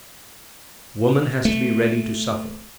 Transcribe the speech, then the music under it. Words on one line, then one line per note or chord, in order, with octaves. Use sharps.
Woman has to be ready to suffer.
A3